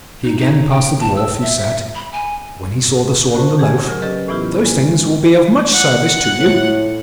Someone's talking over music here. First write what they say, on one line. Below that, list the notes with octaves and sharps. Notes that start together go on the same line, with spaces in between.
He again passed the Dwarf, who said, when he saw the sword and the loaf, 'Those things will be of much service to you.
D#4
D#4
G5
A5
E6
E5
B5
G#5
F#4 C5 A5 C#6
G4 G#4 F#5 G#5
C#3 F#3 A#4
C#4 G4 A4 B4 D5 D#5
A2 E3 B3 E4 F4 G4
G#3
F#5
A2